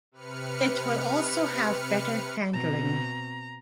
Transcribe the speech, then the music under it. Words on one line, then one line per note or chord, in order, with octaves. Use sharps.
It will also have better handling.
C3 B4 F6 C#7
B2 C4 A#5